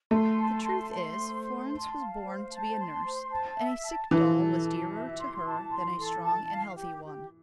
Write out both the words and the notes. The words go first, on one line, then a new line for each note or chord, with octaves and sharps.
The truth is, Florence was born to be a nurse, and a sick doll was dearer to her than a strong and healthy one.
A3 C6
A5
C6
C6
C5
C6
A5
F5
C5
A5
C6
C5
A5
E5
A5
E3 A4
A4
A5
E5
C6
A5
C6
A4
A5
F5
G4
G4